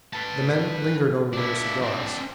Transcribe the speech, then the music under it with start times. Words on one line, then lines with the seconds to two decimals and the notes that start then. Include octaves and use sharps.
The men lingered over their cigars.
0.13 B4 A5
1.33 D4 E4
1.82 C4 D4